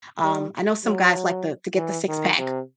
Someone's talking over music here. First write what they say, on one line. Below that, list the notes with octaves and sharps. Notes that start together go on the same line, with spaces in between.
um, I know some guys like to get the six-pack
G3
F#3
E3
D#3
C3